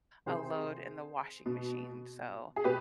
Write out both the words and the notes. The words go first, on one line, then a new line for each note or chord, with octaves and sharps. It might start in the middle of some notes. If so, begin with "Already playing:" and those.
a load in the washing machine, so
C3 D#3 G#4 C5
B2
G#4
B2 G4 B4